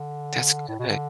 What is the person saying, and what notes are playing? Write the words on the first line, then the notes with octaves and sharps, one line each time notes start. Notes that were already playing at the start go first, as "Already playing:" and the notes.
That's good.
Already playing: D3
A2
B2
D3